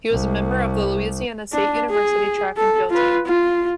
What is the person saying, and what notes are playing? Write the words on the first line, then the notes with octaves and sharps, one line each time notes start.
He was a member of the Louisiana State University track and field team.
C2
D4
G#4
A4
F4 B4
F4